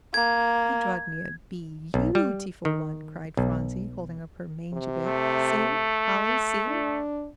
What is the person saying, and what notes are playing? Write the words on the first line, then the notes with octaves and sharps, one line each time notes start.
"He drawed me a be-yew-tiful one," cried Phronsie, holding up her mangy bit; "see, Polly, see!"
A#3 G#6
B1
G3
D#3
B1
C3
A3
D4